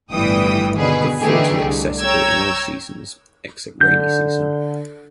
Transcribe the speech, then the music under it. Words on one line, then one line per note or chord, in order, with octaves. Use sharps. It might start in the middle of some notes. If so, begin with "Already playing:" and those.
The fort is accessible in all seasons except rainy season.
G1 A2 E3 G3 G5 D#6
B2 D3 D#3 G#4 B4
D3 E3 A3 D#4 G4 G#4
C2 D3
C#5 G5 A#5 E6 G6 G#6
D3 G6